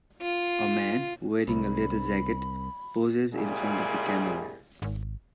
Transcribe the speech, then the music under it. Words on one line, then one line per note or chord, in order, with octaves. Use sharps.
A man wearing a leather jacket poses in front of the camera.
F4
C2 B5
C2 A#2 G3 G#3 G#4
G#1